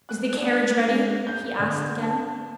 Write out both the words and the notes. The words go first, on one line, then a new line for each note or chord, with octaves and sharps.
"Is the carriage ready?" he asked again.
F#6
D4
G#3
G6
D3
A5